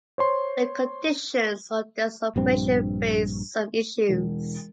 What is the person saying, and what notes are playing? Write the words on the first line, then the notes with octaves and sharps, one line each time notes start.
The conditions of this operation raise some issues.
C5 C#5 C6
A#1 G2 C4
E1